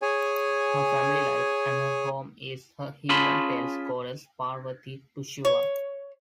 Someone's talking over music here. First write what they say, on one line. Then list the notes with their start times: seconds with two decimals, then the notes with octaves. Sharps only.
Her family life and her home is her heaven, tells goddess Parvati to Shiva.
0.02 G#4 C#5 G#5
3.09 C#4 F4 G#4 A5 B5 C6
5.45 C#5